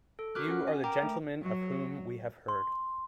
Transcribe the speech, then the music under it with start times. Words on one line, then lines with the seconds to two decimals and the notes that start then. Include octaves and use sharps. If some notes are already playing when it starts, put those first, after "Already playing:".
You are the gentleman of whom we have heard.
0.19 A4
0.35 F#4 A#4 D6 F6 F#6
0.48 C#4 F#5
0.68 G#5
0.84 A#4 G5 A#5 D6
1.03 A3
1.43 F#3
2.48 C6